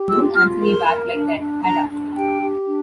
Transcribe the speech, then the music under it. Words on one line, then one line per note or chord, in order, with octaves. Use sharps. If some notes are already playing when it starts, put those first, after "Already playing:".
Don’t answer me back like that, Ada.
Already playing: G4
F4 E6
F4 F6
A#4 C6
A#4
D4
D4
D4 A#5
D4
G4 G5
G4
D4